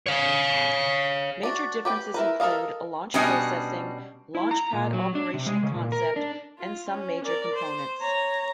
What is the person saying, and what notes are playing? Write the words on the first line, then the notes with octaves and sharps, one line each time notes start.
Major differences include launch processing, launch pad operational concept, and some major components.
C#5 F5
D4 F#4
G4 B4 G5
E4 A#4 B4
A4 A#4 C5 D#5 F5
B2 G3 C#4 D4 D#5 G#5
E4
A#5
A#2
F#3
D4
C3
G#3
C#3
A#2
A#4
D4
F4
C#4
A#4 D5
C5
C#5 A#5